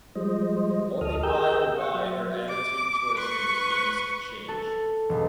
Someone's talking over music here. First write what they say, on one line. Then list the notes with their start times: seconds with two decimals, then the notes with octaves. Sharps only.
Only by and by her attitude towards him begins to change.
0.15 F3 G3 G#3 C5 D#5
1.01 D2 A4 D#5 D#6 F6
1.23 G4 G#4 A#4 D#5 E6 G6
1.76 F#5 C#6 E6
1.94 F#3 C5 E5
2.49 D6
3.17 B4 C#6
4.48 A4
5.09 E1